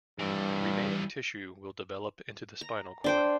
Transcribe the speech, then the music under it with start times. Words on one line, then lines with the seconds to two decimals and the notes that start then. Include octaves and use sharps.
Remaining tissue will develop into the spinal cord.
0.19 G2 E3 G3
2.61 A#5
3.04 D4 C5 G5